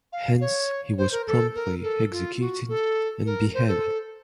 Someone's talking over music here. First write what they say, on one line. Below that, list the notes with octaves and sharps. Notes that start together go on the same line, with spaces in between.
Hence he was promptly executed and beheaded.
F5
C#5
C5
A#4
A4
A#4
A4
F4
F#4
A4
A#4
C5
A4